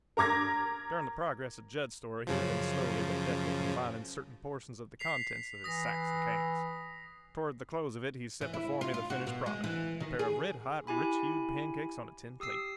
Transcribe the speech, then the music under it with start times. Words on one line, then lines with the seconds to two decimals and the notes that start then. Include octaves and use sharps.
During the progress of Jud's story he had been slowly but deftly combining certain portions of the contents of his sacks and cans. Toward the close of it he set before me the finished product--a pair of red-hot, rich-hued pancakes on a tin plate.
0.17 A#4 A#5 D6 G#6 A#6
2.27 F#2 C#3 F3
4.99 B6 C7 F7
5.64 E3 D#6 A#6
8.41 E3
8.54 E4
8.81 F4
8.94 F4
9.10 F#4
9.27 B2
9.46 G#3
9.64 E3
10.00 D#3
10.19 G#4
10.87 E4 G4 G#5 B5
12.40 G4 D#6 E6 C7